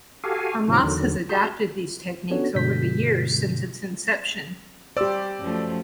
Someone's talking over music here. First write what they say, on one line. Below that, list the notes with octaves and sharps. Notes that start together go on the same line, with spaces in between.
Hamas has adapted these techniques over the years since its inception.
F#4 G4 A4 F5 G#5
G#2 C3 D#3 F3 F#3
E2 D3 D#3 F#3
F#4 G#4 A5 A#5 C6 G6
B3 C#4 D4 F#4 A4 C#5
G2 B2 D3 G#3 G6 B6
G3 G4 C5 D5 E6
F#2 F3 A3